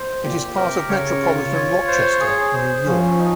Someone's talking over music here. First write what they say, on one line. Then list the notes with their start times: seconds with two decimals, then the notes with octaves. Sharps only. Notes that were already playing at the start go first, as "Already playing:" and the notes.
It is part of metropolitan Rochester, New York.
Already playing: C5
0.23 A#2 G4
0.56 C3 A#4
0.89 C#3 C#5
1.22 F4
1.55 C#5
1.87 C5
2.20 G#4
2.53 C5
2.86 F3 C#4
3.19 D#4